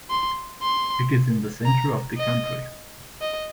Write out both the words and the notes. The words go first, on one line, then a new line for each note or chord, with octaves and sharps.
It is in the centre of the country.
C6
C6
A#5
D#5
D#5